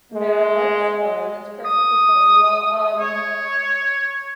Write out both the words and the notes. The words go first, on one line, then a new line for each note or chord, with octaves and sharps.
No, it's fine, that's perfectly fine, well, um
G#3
D#6
C#5